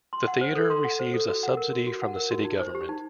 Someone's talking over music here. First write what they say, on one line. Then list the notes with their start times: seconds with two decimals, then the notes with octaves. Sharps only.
The theatre receives a subsidy from the city government.
0.13 C6
0.27 F#5
0.41 C5
0.55 A4
0.70 C6
0.84 F#5
0.99 C5
1.14 A4
1.29 F#4
1.43 F#5
1.57 A#4
1.73 F#4
1.87 F#4
2.02 F#5
2.16 A#4
2.31 F#4
2.44 D#4
2.60 C5
2.75 G4
2.89 D#4